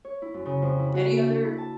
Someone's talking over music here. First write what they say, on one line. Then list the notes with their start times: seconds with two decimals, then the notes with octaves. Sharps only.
Any other
0.05 C#5
0.22 E4
0.34 F#2
0.46 C#3
0.62 F2
0.79 E4
0.94 F#4
1.11 A#3
1.24 D4
1.44 E4
1.58 A5